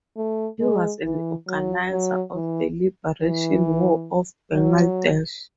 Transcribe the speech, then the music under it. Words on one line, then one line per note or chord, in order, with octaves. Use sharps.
He was an organizer of the Liberation War of Bangladesh.
A3
G#3
E3
F#3
F#3
E3
E3
F#3